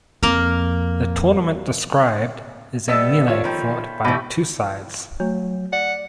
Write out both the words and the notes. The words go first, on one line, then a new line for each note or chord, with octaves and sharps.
The tournament described is a melee fought by two sides.
F2 A#3 A#4
G3 B3 A4 D#5 E5
F4 C#5
D#3 F3 G5 B5
B2 E3 A3 G4 B5
F#3 A3
D5 F#5